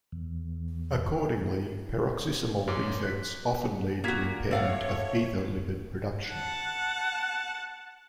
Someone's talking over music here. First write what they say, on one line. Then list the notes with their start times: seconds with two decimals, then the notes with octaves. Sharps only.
Accordingly, peroxisomal defects often lead to impairment of ether-lipid production.
0.12 E2
2.67 F#2 C#4 D6
3.03 F#6 B6
4.04 A#2 A#3 F#4 G#6 B6
4.51 A3 C#5 F5 F#5
6.29 F#5 A5